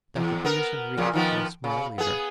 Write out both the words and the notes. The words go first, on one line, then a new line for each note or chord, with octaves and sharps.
Dr. Peterson reached for a small lever.
E2
B3 A#4
F2 A#2 C#3
D#3 F3 B3
C#3
B3 G#4